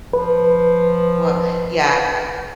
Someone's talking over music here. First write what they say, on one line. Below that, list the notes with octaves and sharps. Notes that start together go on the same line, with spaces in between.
Well, yeah. Eh,
F3 B4